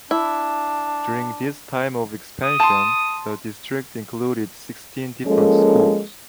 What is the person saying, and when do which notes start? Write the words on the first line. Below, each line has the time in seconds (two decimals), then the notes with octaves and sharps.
During this time of expansion, the district included sixteen different schools.
0.11 D4 E4
2.44 D#6
2.60 A5 C6
5.26 F3 G#3 A#3 C#4 A4